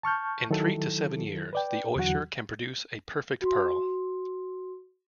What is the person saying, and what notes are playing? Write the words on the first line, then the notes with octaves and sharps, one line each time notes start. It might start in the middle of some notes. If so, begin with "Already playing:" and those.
In three to seven years, the oyster can produce a perfect pearl.
A5 C#6 F6 G6
D#3 F#3 E4 A4
B4 D5 G5
E2 D3 E3 F#3 F#4 F#5
F#4 C6